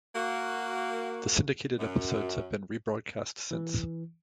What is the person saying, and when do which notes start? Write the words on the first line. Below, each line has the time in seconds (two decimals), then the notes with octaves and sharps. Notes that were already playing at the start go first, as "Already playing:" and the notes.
The syndicated episodes have been rebroadcast since.
0.15 A#3 F#4
1.79 F#2
3.51 E3